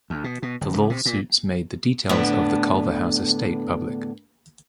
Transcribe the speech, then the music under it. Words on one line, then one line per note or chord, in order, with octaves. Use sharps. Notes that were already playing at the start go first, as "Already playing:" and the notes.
The lawsuits made the details of the Culverhouse estate public.
D2
B2
B2
G1
C#2
C3
A#2
E2 A2 D3 B3 D4